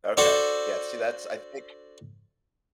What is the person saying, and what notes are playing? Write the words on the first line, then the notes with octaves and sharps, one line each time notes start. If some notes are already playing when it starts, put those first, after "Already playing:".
Okay, yeah, see, that's I think
D4 F#4 A4 C5